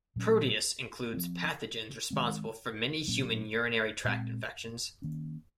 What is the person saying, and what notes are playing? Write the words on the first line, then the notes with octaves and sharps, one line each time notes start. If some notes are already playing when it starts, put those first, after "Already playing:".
"Proteus" includes pathogens responsible for many human urinary tract infections.
A#2 F#3 C#4
F3 C4
D#3 G#3 C4
A#2 F#3 A#3 C#4
A#2 G#3 C4
D#3 A#3 C#4